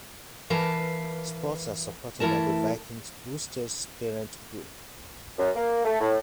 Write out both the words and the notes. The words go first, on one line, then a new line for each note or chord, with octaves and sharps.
Sports are supported by the Vikings Boosters parent group.
E3 A#4 B4 F5 A5
E3 A3 E4 A#4 A5
F#2
A#3
A3
A2